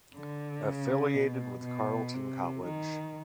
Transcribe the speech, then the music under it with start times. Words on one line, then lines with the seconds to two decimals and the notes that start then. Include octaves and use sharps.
Affiliated with Carleton College.
0.15 D3
0.64 C#3
1.14 B2
1.64 B2
2.14 C3
2.64 D#3